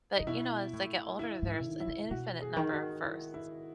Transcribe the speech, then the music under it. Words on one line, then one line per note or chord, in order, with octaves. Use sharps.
But, you know, as they get older, there's an infinite number of firsts.
C#3 D#4
B2 E4
A2
E4
G#2
E4
D#3
E4
C#3
B2 F#4
G#4
D#3
F#4
E4
E4